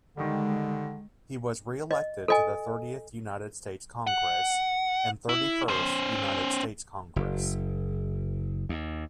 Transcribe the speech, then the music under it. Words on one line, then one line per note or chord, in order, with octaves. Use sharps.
He was reelected to the Thirtieth United States Congress and Thirty-first United States Congress.
D3 D#3 G3 G#3
D#5
A4 D#5 G#5
F#5
E4
C#4 C5
F#1
D#2